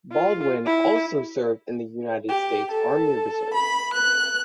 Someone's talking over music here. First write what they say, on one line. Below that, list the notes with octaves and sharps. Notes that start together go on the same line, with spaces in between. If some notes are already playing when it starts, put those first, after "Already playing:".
Baldwin also served in the United States Army Reserve.
F4
E4
G4
A4
B5
F#6